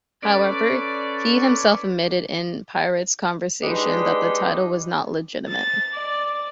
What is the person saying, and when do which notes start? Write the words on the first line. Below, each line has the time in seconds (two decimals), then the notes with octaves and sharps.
However, he himself admitted in private conversations that the title was not legitimate.
0.23 C#4 A4 B4 D5
3.63 G#3 D4 D#4 G4 B4
5.48 A6
5.95 D5